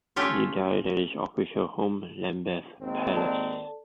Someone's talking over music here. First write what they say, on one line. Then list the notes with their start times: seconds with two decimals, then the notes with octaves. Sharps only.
He died at his official home, Lambeth Palace.
0.16 A3 C#4 F4 G4 C#5
2.79 G#1 D#2 C4
3.13 A4 D5 A5